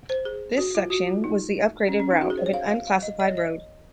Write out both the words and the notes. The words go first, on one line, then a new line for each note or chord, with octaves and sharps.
This section was the upgraded route of an unclassified road.
C5
G#4
F#4
F4
F#4
F4
D#4
C#4
C#4
D#4
F#4
G#4
C5
C#5
F5
F5
F5
D#5
D#5
C#5
D#5